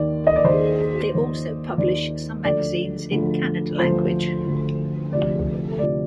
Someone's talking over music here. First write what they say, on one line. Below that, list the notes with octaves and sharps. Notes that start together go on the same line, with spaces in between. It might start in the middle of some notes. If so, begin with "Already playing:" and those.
They also publish some magazines in Kannada language.
Already playing: D#2 D#3 D5
D#5
D5
D#2 D#3 C5
D#2 D#3
D#2 D#3 D5
D2 D3 F3 D5
D2 D3 F3
D2 D3 F3 C5
D2 D3 F3
D2 C3 F3 D5
D2 C3 F3 D5